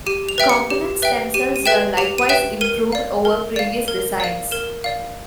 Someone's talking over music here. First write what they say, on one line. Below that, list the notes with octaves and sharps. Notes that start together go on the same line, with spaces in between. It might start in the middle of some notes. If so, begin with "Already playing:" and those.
The components themselves were likewise improved over previous designs.
G4 D#7
F7
B4 E5 G5
C#7
G4
B4 E5 G5
G4 D#7
D#7
B4 E5 G5 E7
G4 F7
D#7
B4 E5 G5 E7
A#4 D#7
D5 F5
A#4
D5 F5
A#4
D5 F5
A#4 E7
D5 F5